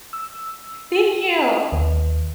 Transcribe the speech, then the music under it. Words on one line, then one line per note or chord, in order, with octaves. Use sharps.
Thank you.
E6
D#2